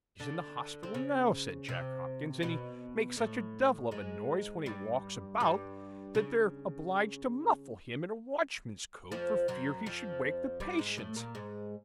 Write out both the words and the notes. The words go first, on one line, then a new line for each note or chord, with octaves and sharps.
He's in the hospital now,' said Jack Hopkins, 'and he makes such a devil of a noise when he walks about, that they're obliged to muffle him in a watchman's coat, for fear he should wake the patients.'
D3 D4
C4
C#3 C#4
C3 C4
B2 B3
A2 A3
G#2 G#3
G2 G3
G2 G3
C#3
F2 F3
F#2 F#3
F2 F3
G2 G3
G#2 G#3
A2 A3
A#2 A#3
G#2 G#3